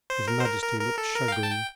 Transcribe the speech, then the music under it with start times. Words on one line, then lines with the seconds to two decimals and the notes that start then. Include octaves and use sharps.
His Majesty looked chagrined.
0.10 C5
0.28 A#4
0.40 C5
0.45 A#4
0.63 A#4
0.80 A#4
0.98 A4
1.15 A#4
1.28 F5
1.32 G5
1.43 A5
1.51 G5